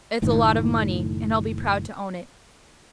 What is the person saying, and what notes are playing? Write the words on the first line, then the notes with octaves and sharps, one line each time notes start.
"It's a lot of money, and I'll be proud to own it."
F#1 A2 D#3